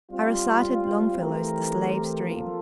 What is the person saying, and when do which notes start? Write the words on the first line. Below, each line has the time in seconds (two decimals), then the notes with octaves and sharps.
I recited Longfellow's "The Slave's Dream".
0.11 G3 C4 F4
1.18 E3 A3 C4 G4 A#4
2.26 F3 A#3 F4 A4